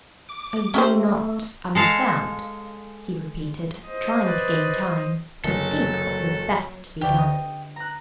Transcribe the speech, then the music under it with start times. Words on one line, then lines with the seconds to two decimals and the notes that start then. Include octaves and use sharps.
"I do not understand," he repeated, trying to gain time, to think what was best to be done.
0.29 D6
0.74 A3 C#4 G4 C5
1.75 G#3 A4 F5
3.87 C5 D#5
4.26 B4 D5
5.44 F#1 D3 F#3 A4
7.01 D2 G4 D5
7.18 D#5
7.76 A#5 F#6